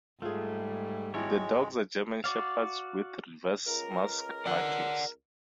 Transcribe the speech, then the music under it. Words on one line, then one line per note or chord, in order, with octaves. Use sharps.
The dogs are German Shepherds with "reverse mask" markings.
G#2 G3 A3 F4 G#4
G#1 G#3 E4 C#5
F#4 D5 F5
C#2 A#4
D5 F#5